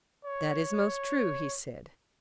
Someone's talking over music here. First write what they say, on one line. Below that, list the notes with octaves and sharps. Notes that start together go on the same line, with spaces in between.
That is most true, he said.
C#5